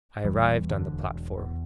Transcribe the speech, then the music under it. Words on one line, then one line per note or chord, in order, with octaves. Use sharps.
I arrived on the platform.
E1 E3 G3
E2
D3
E1
E1
E2